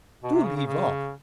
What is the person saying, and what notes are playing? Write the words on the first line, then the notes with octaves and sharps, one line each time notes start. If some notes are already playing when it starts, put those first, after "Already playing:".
Do leave off!
B2
C3
C#3
C#3
C#3